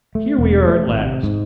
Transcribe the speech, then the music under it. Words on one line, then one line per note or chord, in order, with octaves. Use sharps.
'Here we are at last.
A3
E1
A3
G#1
C3
G#2